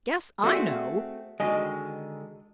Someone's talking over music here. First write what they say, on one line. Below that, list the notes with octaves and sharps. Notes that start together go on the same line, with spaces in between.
"Guess I know!"
A3 C4 F#4 G#4 E5 F#5
D3 D#3 G#3 F#4 D#5 G5 G#5